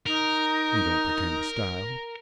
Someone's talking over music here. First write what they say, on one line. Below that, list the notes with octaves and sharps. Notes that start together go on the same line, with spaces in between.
We don't pretend to style.
D#4 A#4